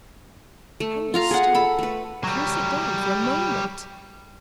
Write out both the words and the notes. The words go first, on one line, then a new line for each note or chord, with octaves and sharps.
'Can you stop--can you sit down for a moment?
A3
F4 F5 A#5
G#4 F#5
A4 B5
A3 B4
F#3 G3